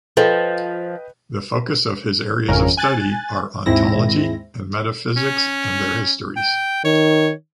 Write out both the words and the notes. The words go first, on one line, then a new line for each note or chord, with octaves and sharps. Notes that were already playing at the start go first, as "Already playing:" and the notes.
The focus of his areas of study are ontology and metaphysics and their histories.
F3 A4 B4 D#5 G5
G#1 F2 C#3 C#4 F4 A#4
G#5 F#6 A6
D#2 G#2 G#3 C4 E4 A#6
C#4
G5
D#3 C#5